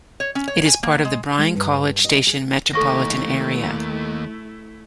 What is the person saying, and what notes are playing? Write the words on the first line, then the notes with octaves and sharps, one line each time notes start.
It is part of the Bryan-College Station metropolitan area.
C#5
C#4
C#5
G#5
A#3
G#3
G#3
G2
D#5
G#4
D#2 A3 E4 A4 C#6 A#6